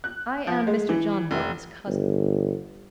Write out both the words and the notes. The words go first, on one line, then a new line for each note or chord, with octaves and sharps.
"I am Mr. John Morton's cousin."
F#6
F3
G#3
E3
F1
G1